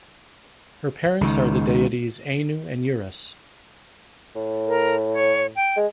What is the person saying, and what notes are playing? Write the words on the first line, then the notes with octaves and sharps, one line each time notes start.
Her parents are the deities Anu and Uras.
C#2 D#3
A2
A#4
C#5
G5
G#3